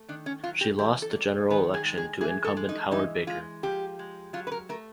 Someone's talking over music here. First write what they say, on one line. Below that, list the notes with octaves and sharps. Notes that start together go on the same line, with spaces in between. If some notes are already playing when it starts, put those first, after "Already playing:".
She lost the general election to incumbent Howard Baker.
Already playing: A3
D#3 D4
C#4
F#3 F4
G4
E3 G4
A4
G3
D#3 B4
G#4
G#3
G#4
E3 G#4
A4
G#3
D#4
E3 D#4
G#3 F4
F3 G4
G#3
F#3 F4
B4
A#4
A3 A#4